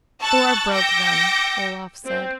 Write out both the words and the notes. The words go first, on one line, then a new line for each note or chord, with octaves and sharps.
"Thor broke them," Olaf said.
A5 C#6 E6 F#6 A6
G5 D6 E6 G6 A#6 C#7
C4